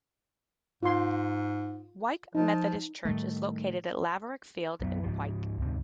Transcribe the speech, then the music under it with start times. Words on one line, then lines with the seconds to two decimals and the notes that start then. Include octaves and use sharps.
Wyke Methodist Church is located at Laverack Field in Wyke.
0.83 G#2 F4 C6
2.35 F3 D#4
3.05 A2 D#3 G3 A3
4.81 F#2 F#3 B3
5.03 G#2 F3
5.58 D2 G#2 C3